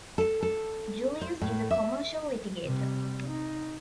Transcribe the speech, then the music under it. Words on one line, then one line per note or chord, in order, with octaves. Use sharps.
Julius is a commercial litigator.
A4
A4
C5
A2
E5
C3 G3
D#4